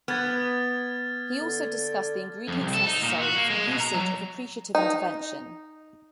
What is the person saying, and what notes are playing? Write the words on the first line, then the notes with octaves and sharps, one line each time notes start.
He also discussed the ingredients necessary for the usage of appreciative intervention.
B3 F6 G#6 A6
D3
F2
C2
A4
D#4
A#2
F#4
A#3
G#3
B2
A#5
F#3
D#4